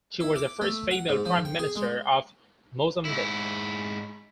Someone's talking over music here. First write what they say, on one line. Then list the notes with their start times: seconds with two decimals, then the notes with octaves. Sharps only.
She was the first female Prime Minister of Mozambique.
0.20 E4
0.36 D6
0.61 A3
0.91 F#5
1.09 G#2
1.25 F3
1.45 G5
1.59 G#4
1.76 G#3
3.05 G#2 E4